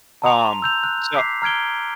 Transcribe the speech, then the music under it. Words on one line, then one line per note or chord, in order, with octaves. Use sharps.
Um, so
A5 A#5 C6 F7
E6 G6 F7
F#6
D6 B6 C7
A#5 F6 G#6 D7 G7